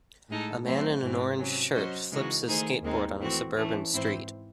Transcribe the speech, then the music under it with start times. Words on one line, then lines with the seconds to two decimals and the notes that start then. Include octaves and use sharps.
A man in an orange shirt flips his skateboard on a suburban street.
0.29 A2 G#3 D#4 A4
0.65 F#3 A3 C4 E4 C5
1.01 G#2 E3 C4
1.38 C3 F#3 C#4
1.74 F#3 C#4 F#4 C5 D#5
2.11 C#3 E3 G#3 D#4 F#4
2.47 D#3 A3 D#4 G#4 C5
2.83 D#2 D#3 G#3 C4 D#4
3.19 E3 A3 C4 F#4
3.56 E3 A3 C#4
3.93 G#2 E3 C4 E4 C5